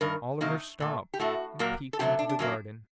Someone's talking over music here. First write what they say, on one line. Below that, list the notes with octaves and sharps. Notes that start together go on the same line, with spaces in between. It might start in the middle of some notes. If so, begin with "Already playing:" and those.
Oliver stopped, and peeped into the garden.
G2 D#3 A#4
C3 D#3 F#3 A#3 D#4
A#2 A3
G4
A2 A3 F#4
A#2 F#3 A#3
A4
C3 F#3 A3 G4
D4
D4
F#2 F#3 A#3